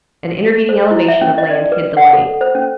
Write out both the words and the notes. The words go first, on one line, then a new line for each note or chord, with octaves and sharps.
An intervening elevation of land hid the light.
C5
E4
E5
C#4
D#5
D5
B4
F#5
A4
C5
C#4